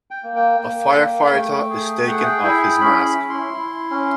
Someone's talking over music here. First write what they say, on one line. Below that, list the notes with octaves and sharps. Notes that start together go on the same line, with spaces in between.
A firefighter is taking off his mask.
G5
A#3
G5
A#3
A#3
A3
G#4
G#4 F#5
G5
E4 G5
G5
C#4 B5
B5
E4
C6
E4
C#4